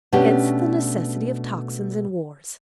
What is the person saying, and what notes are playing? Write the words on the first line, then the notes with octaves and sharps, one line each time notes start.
Hence the necessity of tocsins and wars.
B2 A3 C#4 D4 G4